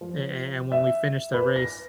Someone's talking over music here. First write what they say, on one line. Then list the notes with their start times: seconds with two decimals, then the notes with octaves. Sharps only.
a a and when we finished that race,
0.01 F3
0.72 E5
1.34 B4
1.56 A#6